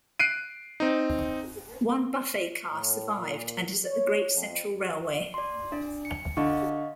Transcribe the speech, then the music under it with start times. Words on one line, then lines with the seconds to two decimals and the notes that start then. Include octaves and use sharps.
One buffet car survived and is at the Great Central Railway.
0.20 F#6 C7 D7 D#7
0.80 C4 D#4
2.70 A2
3.16 A#2
3.85 C#5
4.35 F2
5.34 D5 C6
5.72 D4 D5
6.05 C#7
6.37 D3 D#5 F5 C#6